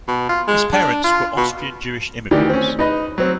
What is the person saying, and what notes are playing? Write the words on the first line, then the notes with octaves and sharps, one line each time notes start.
His parents were Austrian Jewish immigrants.
B2
F4
G#3
D4
F4
B2
D2 D#3 E3 G4 D5
C4 C#4
D#4 B4 D#5 B5
F#3 C4